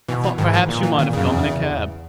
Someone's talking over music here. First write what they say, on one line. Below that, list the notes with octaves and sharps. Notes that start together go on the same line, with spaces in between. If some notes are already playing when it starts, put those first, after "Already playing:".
I thought perhaps you might have come in a cab.'
B2 E3
E3
G#2 D#3
E3
A#2
E3
D#3
F#2 C#3
E2